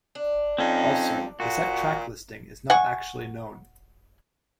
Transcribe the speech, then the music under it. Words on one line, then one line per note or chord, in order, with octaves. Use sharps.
Also, a set track listing is not actually known.
D4
F2 C4 C#4 D#4
A#2 F#4
F#5 G#5 C#6